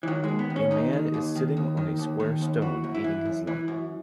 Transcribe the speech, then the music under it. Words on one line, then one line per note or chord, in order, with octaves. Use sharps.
A man is sitting on a square stone eating his lunch.
E3
D#3 F#3
D#2 G#3
B3
D#3
C#4
D#2 D#4
D#3
D#2
D#3
D#2
D#3
D#2
D#3
D#2
E3 F#4
F#2
E4
E3
F#2
E3
F#2